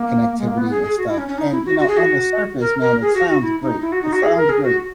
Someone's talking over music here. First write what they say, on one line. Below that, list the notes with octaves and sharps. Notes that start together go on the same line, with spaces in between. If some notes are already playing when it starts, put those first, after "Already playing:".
connectivity and stuff," and, you know, on the surface, man, it sounds great, it sounds great,
Already playing: A#3
G#3
A#3
B3
G#4
G#4
F#4
E4
C#4
C#4
D#4
E4
F#4
F#4
G#4
F#4
A#4
A#4
G#4
F#4
F#4
E4
D#4
E4
F#4
D#4
F#4
G#4
A#4
G#4
F#4